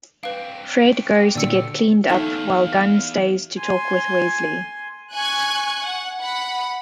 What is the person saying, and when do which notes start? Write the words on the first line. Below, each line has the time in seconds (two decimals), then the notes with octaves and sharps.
Fred goes to get cleaned up while Gunn stays to talk with Wesley.
0.23 C4 D4 B4 F5
1.35 A#2 D3 D5 E6 C#7
2.10 E2 A3 D#4 F5 G5
3.58 G#5 C6
5.14 G#5 C#6 F#6 G#6
5.87 F#5
6.21 F#5 B5